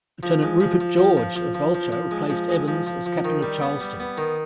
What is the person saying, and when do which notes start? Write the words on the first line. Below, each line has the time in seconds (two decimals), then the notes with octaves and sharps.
Lieutenant Rupert George of "Vulture" replaced Evans as captain of "Charlestown".
0.23 F3
0.43 G#3
0.60 F3
0.80 F3
0.98 F3
1.17 F3
1.36 F3
1.55 F3
1.74 F3
1.92 F3
2.11 G#3
2.30 F3
2.49 G#3
2.68 F3
2.86 F3
3.06 F3
3.25 D#3
3.43 G3
3.62 B3
3.80 G3
4.00 B3
4.18 D#3